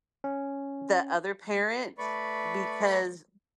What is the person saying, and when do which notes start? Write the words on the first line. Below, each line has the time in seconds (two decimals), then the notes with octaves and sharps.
the other parent, because
0.24 C#4
1.98 A3 B4 D5 B5 C#6